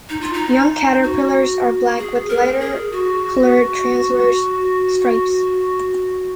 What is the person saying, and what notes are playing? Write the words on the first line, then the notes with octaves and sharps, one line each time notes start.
Young caterpillars are black with lighter colored transverse stripes.
D#4
F4
D#4
F#4
G#4
A#4
G#4
F#4